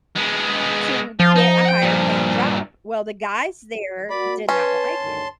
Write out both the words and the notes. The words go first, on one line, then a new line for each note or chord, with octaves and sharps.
to get a higher paying job. Well, the guys there did not like it
G#3 B3
F3 F4
D#4
F#5 G5
G2 A#2
A#3 F#4 D5 B5
C#4 B4 A5 C6
D2 G2 D#3